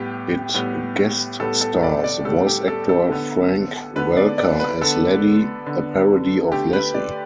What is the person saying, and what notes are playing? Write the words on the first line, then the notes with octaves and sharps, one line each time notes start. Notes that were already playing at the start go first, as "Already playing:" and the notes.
It guest stars voice actor Frank Welker as Laddie, a parody of Lassie.
Already playing: A2 G3 B3 G4
A2 G3 B3
A2 G3 B3 A4
A4
D5
D5
A2 G3 B3 A4
G4
A4
A4
D3 B3
D3 B3 B4
D5
D5
B4
D3 B3 A4
D3 B3
D3 A3 G4
B4
D5